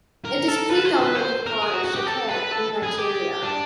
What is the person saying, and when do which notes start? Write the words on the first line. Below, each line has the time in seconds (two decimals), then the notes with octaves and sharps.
It is predominantly called "shekere" in Nigeria.
0.25 A#4
0.48 A4
0.70 B4
0.85 C5
1.01 B4
1.15 C5
1.46 A#4
1.62 G#4
1.73 F#4
1.84 F#4
1.95 G4
2.07 A4
2.29 B4
2.52 A4
2.83 G#4
2.98 G4
3.42 D4